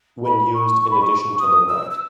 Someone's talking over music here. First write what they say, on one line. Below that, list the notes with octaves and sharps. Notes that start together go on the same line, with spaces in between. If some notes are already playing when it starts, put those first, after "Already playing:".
When used in addition to the right.
B5
C#6
C#6
B5
C#6
D#6
E6
E6